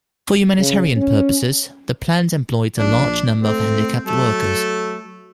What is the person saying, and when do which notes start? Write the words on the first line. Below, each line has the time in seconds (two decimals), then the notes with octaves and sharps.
For humanitarian purposes, the plant employed a large number of handicapped workers.
0.59 C#3
0.96 C#4
2.79 A#1 D4
3.39 A3 C4
4.06 F#3 A3 A4